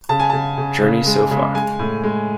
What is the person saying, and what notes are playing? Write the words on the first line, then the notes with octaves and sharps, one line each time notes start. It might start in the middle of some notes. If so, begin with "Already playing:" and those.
"Journey So Far".
C#3 A5
G#5
C#3 A5
C#3
C#3
G#3
C#3
G#3 G#5
A2
G#3